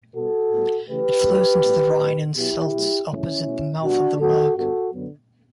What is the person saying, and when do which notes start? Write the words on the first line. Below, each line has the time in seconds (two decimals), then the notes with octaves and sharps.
It flows into the Rhine in Seltz, opposite the mouth of the Murg.
0.14 B2 G3 B3 F#4 A4
0.51 A2 G3 B3
0.88 C#3 E3 A3 G4 B4
1.25 G2 E3 A3
1.62 A2 G3 B3
1.98 A2 F#3 A3
2.35 B2 F#3 B3 E4 G4
2.72 B2 F#3 A3
3.09 F#2 C#3 E3 A3 C#4 E4
3.46 B2 A3
3.82 B2 G3 B3 D4 F#4
4.19 A2 F#3 B3 F#4 A4
4.56 G2 D3 G3 B3 F#4 A4
4.93 F#2 D3 F#3 B3